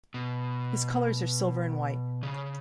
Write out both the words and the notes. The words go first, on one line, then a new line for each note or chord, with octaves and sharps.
His colors are silver and white.
B2
C#3